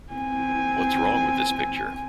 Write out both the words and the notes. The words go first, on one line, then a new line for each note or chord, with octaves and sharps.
What's Wrong with This Picture?
C4 G#5